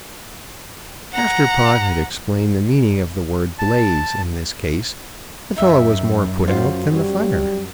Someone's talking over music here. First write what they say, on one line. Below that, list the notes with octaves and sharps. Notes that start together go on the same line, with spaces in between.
After Pod had explained the meaning of the word "blaze" in this case, the fellow was more put out than the fire.
F#5 A#5
A5
F#2 D#4 E5
C#4 F4 F#4 C5
G3 C#5